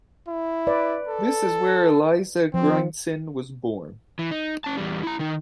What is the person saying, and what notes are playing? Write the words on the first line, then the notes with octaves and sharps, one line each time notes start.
This is where Elisa Griensen was born.
E4
B4 D5
A4
F3 C4
E3
D#4
C#4 A5
E2 G3
E4 A#5
D#3 D#4